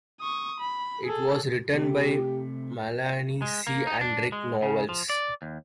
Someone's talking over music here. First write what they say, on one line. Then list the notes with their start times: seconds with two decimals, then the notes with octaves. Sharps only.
It was written by Melanie C and Rick Nowels.
0.21 C#6 D#6
0.60 B5
1.06 G#4 A4
1.73 C3 A3 G4
3.42 G#3
3.67 A#3
3.87 D#4
4.01 D4
4.32 G#3
4.62 C#3
4.89 F3
5.10 D5
5.42 D#2